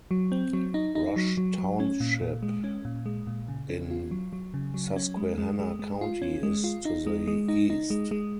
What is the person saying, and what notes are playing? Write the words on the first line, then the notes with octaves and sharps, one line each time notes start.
Rush Township in Susquehanna County is to the east.
F#3
C4
F#3
D#4
D#4
F#3
F#3
F#3
C#4
A#2
A#2
G#3
C#4
A#2
G#3
A#2
C#3
C#4
F4
F#3
F#3
C#3
F#3
C#4
G#3
G#3
G#3
G#3
F4
C#4
G#3
F4
D#4
G#3
G#3
D#4
D#4
G#3
G#3